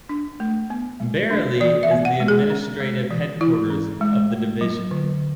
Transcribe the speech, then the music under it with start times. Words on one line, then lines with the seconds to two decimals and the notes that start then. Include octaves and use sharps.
Bareilly is the administrative headquarters of the division.
0.09 D4
0.40 A3
0.70 B3
1.00 G#3
1.31 D4
1.61 E3 D5
1.83 E5
1.91 B3
2.05 F#5
2.20 G#3
2.28 G#4
2.50 C#4
2.80 G#3
3.11 E3
3.41 E3 E4
3.70 C#4
4.01 G#3
4.31 A3
4.61 F#3
4.91 D3